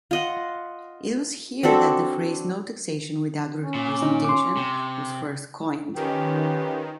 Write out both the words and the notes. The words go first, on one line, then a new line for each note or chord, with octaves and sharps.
It was here that the phrase "no taxation without representation" was first coined.
F4 D#5 F#5
C4 D4 F#4 A4
C#4
A#2
D#4
C6 D6
C3
D#3 C#4 F4 G4 B4